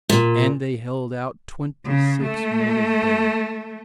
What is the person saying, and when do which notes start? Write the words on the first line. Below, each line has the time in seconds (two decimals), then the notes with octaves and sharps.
And they held out twenty-six mortal days.
0.09 A#2
1.85 C#3
2.23 A3